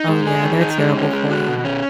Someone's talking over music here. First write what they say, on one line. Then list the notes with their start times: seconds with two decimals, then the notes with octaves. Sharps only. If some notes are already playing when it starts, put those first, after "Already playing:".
Oh yeah, they're terrible for you.
Already playing: D#4
0.08 G#3
0.27 G#4
0.44 D#3
0.61 D#4
0.78 G#3
0.97 C#4
1.13 G#3
1.30 F#4
1.48 B2
1.65 C#4